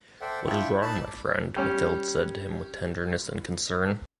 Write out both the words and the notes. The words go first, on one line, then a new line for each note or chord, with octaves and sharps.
What is wrong my friend? Mathilde said to him with tenderness and concern.
A4 C5 D5 E5 F#5 G5
D4 E4 F4 E5 G5 C#6
D#4 A5 B5 E6 F#6
D5
G3 C#4